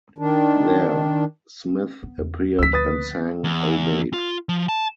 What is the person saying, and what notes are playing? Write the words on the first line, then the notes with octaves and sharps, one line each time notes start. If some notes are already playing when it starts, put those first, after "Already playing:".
There, Smith appeared and sang "Oh, Babe".
D#3 D4
B3
E2
D2 F3 E6 B6
B4 D#6 A6
E2
F4
F3
A5